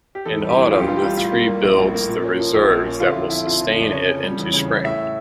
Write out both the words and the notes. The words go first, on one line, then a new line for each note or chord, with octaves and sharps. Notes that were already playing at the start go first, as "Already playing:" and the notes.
In autumn, the tree builds the reserves that will sustain it into spring.
G4
E2 A4
G3
G4
E3
E1 F4
G4
E2 F4
G4
G3 F4
A2 F4
A#3
G3
A#1
A2
A#3
A#2
C#4
F3
A#1
A#2
C#4
D3 F4
E4
F2
F3 E4
F2 F4
D3
F2
D5
C#3 C#5
C#4
G3
E2
C#3
C#4
A2 E5